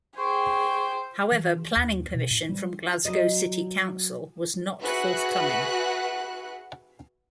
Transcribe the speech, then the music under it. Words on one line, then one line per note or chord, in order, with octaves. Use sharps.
However, planning permission from Glasgow City Council was not forthcoming.
G#4 C5 G5 C#6
E3
D#2
B2
A2
G3
F#3 D#5
F#4 G#4 B4 E5 F#5 F#6